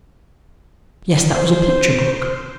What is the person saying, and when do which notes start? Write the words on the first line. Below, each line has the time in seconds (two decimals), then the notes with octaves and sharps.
Yes, that was a picture book!
1.31 C5